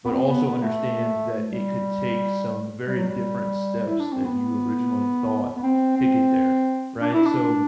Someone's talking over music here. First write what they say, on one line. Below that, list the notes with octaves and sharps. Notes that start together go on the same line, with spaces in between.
but also understand that it could take some very different steps that you originally thought to get there, right, so
B3
C4
B3
B3
A3
G3
G3
F#3
G3
E4
D4
C4
B3
B3
C4
C4
D4
E4
D4